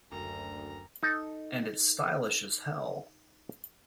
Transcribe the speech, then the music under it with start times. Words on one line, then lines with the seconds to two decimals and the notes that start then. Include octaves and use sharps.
And it's stylish as hell.
0.12 F#1 D2 A#5
1.03 D#4 A4